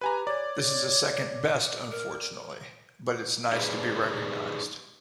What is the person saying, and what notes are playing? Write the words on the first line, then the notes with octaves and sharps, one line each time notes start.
This is a second best unfortunately, but it's nice to be recognised.
G4 B4 G#5 A#5
C#5 D5
A#4
D#4 G4 G#4 B4 C5 D5